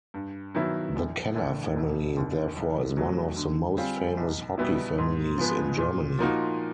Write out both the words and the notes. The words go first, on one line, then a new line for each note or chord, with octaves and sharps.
The Keller family therefore is one of the most famous hockey families in Germany.
G2
D#3 F#3 B3 E4
A#1
A2 E3 A3 D4
E1
D#2 D3
B1
B2 F#3 A3
D3
G3 C4 F4 G#4
B1
B2 G3 B3 E4
G#2
F3 G#3 B3
A#2
F3 A#3 D#4 F#4